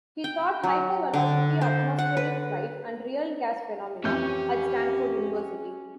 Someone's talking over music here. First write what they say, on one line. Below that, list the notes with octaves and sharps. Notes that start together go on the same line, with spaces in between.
He taught Hypervelocity Atmospheric Flight and Real Gas Phenomena at Stanford University.
G5
F#3
D3
C5
F#5
B4
F2 E3 C#4 G4 C#5 G6